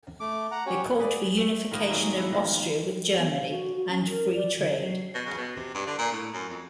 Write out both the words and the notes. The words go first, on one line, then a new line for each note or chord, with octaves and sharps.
They called for unification of Austria with Germany and free trade.
A3 D6
F#5 A#5
C#4 F#4 G4 C#5
G#4 B4 D5
A3
D#3 F3 A#3 B3
G#2 F#3 G#4
E4 F#5
D#3 F3
F3
B3
F5
F#4
F#4
C#4
A#4
D5
D3
F#3
B2
C#3
B2
C3
G2
D3
A#2
A2
F#2
F2